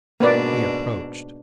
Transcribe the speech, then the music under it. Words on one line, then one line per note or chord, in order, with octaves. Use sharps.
He approached.
G#2 B2 A#3 D4 B4 D5